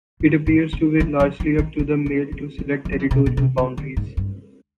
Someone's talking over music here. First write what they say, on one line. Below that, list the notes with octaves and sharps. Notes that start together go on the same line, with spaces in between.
It appears to be largely up to the male to select territorial boundaries.
G#2
A2
D3
E3
F3
E3
D#3
D3
C#3
D3
D3
E3
F3
E3
C3
B2
C3
C#3
D3
G#2
G2